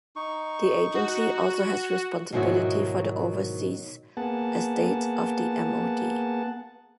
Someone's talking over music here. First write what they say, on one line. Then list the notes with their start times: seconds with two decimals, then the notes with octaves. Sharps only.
The agency also has responsibility for the overseas estates of the MoD.
0.16 D#4 C#6
0.95 F#4
2.32 G#2 B2 D#3 F#3 E4 F#4
4.17 A#3 B3 G#4 F#5 A5